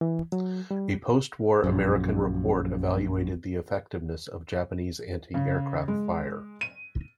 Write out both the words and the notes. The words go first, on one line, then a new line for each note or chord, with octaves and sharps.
A postwar American report evaluated the effectiveness of Japanese anti-aircraft fire.
E3
F#3
G3
A#1 F#2
C#3
G#3
D#7